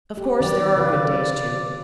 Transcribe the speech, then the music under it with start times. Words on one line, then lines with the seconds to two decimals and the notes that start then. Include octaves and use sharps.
Of course there are good days, too.
0.17 G4
0.40 D#3 F#3 D5
0.76 C#3 B4 F5